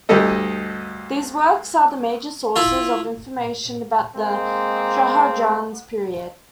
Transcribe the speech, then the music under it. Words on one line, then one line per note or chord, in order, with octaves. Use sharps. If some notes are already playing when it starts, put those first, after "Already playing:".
These works are the major sources of information about the Shah Jahan's period.
D2 G2 G4 A4 D#5
E4 F4
G#3 A#3 C4